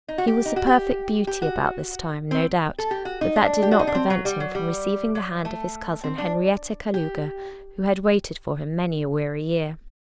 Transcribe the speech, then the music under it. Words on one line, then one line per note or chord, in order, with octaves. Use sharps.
He was a perfect beauty about this time, no doubt, but that did not prevent him from receiving the hand of his cousin Henrietta Kalouga, who had waited for him many a weary year.
D#4
F#4
G4
D#4
F#4
G4
G4
F#4
C4
A4
G4
F#4
D#4
D4
G4
F#4
D#4
D4
C4
F#3
G3
F#3
G3
F#3
A3
C4
D4
G4